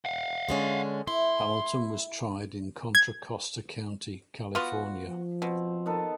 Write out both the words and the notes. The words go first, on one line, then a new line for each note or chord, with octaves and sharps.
Hamilton was tried in Contra Costa County, California.
F5 F#5
D3 G#3 C#4
E4 C6
G#6
B3 F4 F#4
F3
B2 C4
D#3 B3 A4